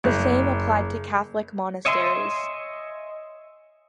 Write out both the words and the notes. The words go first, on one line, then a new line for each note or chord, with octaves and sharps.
The same applied to Catholic monasteries.
F#1
C#5 D#5 E5 G#5 C6